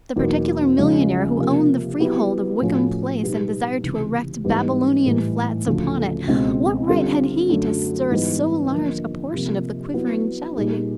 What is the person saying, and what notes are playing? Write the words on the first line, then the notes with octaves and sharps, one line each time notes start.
The particular millionaire who owned the freehold of Wickham Place, and desired to erect Babylonian flats upon it--what right had he to stir so large a portion of the quivering jelly?
E2 B2 F#3 A#3 D#4
C#3 F3 G#3 C#4
C3 F3 A#3
F#3 B3 E4 G4 B4
A2 F3 A3 C#4 F#4
B2 G3 B3 D#4 G4
C#2 C3 E3
G#2 E3 G3 B3
A2 E3 G3
D2 C#3 F3 A3
C#2 B2 G#3 C4
D3 G3 C4 F4 A4
F#2 D3 F#3 A3
G#2 E3 G3 B3
D3 F3 A#3
C3 F3 A#3
F#3 B3 E4
A#2 G3 A#3 D#4 G#4